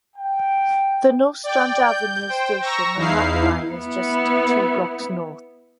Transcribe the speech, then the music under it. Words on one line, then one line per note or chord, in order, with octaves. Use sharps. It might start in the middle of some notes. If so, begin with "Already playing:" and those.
The Nostrand Avenue station on that line is just two blocks north.
G5
D5 G5
G6
C5 G5
A#5 C#6 E6 A#6
E2 D#4 E4 F5 C7
B3 E4